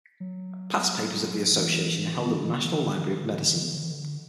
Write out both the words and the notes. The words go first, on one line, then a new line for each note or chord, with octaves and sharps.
Past papers of the association are held at the National Library of Medicine.
F#3
E3
D3
E3
D3
E3
D3
E3
D3
E3
D3
E3
D3
E3
D3
E3
D3
E3
D3
E3
D3
E3
D3